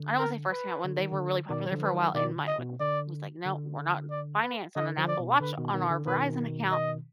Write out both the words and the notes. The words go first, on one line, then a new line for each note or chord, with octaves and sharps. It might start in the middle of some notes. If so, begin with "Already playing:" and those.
I don't wanna say first came out when they were really popular for a while and my like, I was, like, "No, we're not financed on an Apple Watch on our Verizon account,"
Already playing: D3
A#4
B4
D3
D#3
D3
B2 D#3 D5
F#3
D3 F3
B4
D#3 F#3
B2 D#3 D5
D3
D#5
B2
D3 D5
D3
D5
B4
D3 D#5
D3 F3
D5
B2
D3 B4
B2 D#3
B2 D#3
D3
B2 D#3 B4
D#5